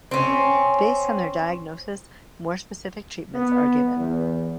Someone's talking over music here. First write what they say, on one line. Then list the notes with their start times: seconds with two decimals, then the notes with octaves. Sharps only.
Based on their diagnosis, more specific treatments are given.
0.11 C4 C#4
3.34 B3
3.96 E2